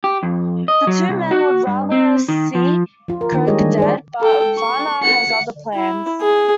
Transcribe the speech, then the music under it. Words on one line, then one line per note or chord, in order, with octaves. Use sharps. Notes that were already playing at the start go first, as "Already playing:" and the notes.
The two men would rather see Kirk dead, but Vanna has other plans.
G4
F2
D#5
F#3
C2
F#4
G2
C4
D#3
F3
F3 F4
A#4
D#3 A#3 D4
G3 G#3 G4 G#4 C#5 D#5
D#3 E3 G3 A#3 D4
G#4 C5 D5
A4 G5
C#6
F#5 C#7
E4
G#4